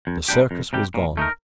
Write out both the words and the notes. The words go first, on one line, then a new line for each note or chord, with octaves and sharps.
The circus was gone.
F2
C3 G3 D4 G4
F2
C3 G3 D4 G4
A#2
A3 D#4 A#4